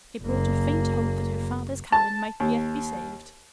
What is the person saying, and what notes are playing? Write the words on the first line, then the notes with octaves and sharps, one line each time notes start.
It brought a faint hope that her father's cabin might yet be saved.
F#1 A#3
A5
D#2